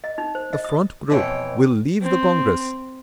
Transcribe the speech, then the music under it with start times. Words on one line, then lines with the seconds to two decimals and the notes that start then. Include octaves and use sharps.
The Front group will leave the Congress....
0.04 D#5
0.18 D#4
0.35 C5
0.53 D#5
0.64 D#6
1.10 F2 B2 E3 C#5 G5
2.02 C4